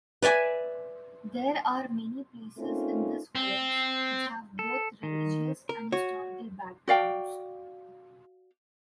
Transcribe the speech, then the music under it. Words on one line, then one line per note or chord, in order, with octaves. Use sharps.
There are many places in this village which have both religious and historical backgrounds.
B4 D5 E5 G#5
A3 A#3 C4 C#4 D#4 F4
C4
A4
D#3
A#4
F#4 C#5
F#4 D5 F5 G5